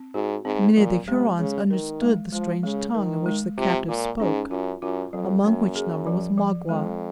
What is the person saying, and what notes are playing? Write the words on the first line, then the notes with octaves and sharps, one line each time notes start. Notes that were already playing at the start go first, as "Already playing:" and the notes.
Many of the Hurons understood the strange tongue in which the captive spoke, among which number was Magua.
Already playing: C4
G#2 F#4
G#2 C4
A#2 F#3
C3 G#3
C#3 G#3
D#3 A#4
G#3
F3 G#3
C#3 G#3
D#3 A#4
G#3
C3 F4
A#2 F4
G#2 C#4
F#2 F4
F#2 F4
F2 F#3
F#2 A#3
G#4
F3
F3
F2 G#3